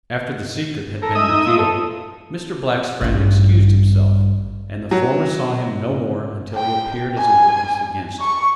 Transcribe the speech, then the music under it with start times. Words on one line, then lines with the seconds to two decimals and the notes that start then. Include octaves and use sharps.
After the secret had been revealed, Mr. Black's friend excused himself, and the former saw him no more until he appeared as a witness against him.
1.02 A4 A#4
1.15 G#3 D#5 E5 D#6
1.29 D#4
1.46 F4
1.59 A4
3.01 A1 G2
4.91 F#3
6.54 G5
7.17 G#5
8.20 C#6